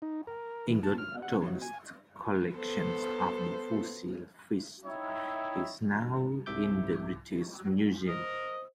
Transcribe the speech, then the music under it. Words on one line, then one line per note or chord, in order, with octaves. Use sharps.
Egerton's collection of fossil fishes is now in the British Museum.
D#4
A#4
E3
A5
F6
F#5
F#3
G#5
B3 A4 C5
D#4 E4 C#5 E5 G5
C2 G#2 C3 E5 D6 G6
A#4 C5 D#5